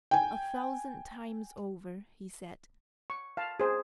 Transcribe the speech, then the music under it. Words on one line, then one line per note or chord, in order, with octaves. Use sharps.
"A thousand times over," he said.
G5 G#5
C#6
F5 A5
G#4 C5